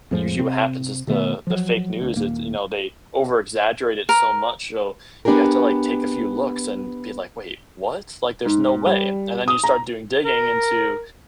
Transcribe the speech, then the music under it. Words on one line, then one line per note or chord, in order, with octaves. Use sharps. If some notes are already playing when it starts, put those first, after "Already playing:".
usually what happens is the the fake news, it's you know, they over-exaggerate it so much, you know? You have to, like, take a few looks and be like, "Wait, what? Like, there's no way," and then you start doing digging into
F2 A2 F3 G#3
C3 C4
B2 D#3 A3 B3
F3 F#3
D2
D#1 A#3
A#4
B3 D4 G4 G#4 A#4
G#2
G3
D#6
A#5
A#4